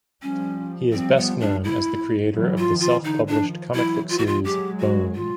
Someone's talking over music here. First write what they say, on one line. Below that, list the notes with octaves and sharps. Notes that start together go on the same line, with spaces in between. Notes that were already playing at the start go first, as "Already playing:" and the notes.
He is best known as the creator of the self-published comic book series "Bone".
F3 G3 C#4
F3 G3 C4
B3
D4
E4
E3 F#3
F4
D#3 F3
F4
D3 E3 D#4
D4
D#3 F3
E3 F#3 E4
F4
F#4
F4
F#3 G#3 G4
F#4
F4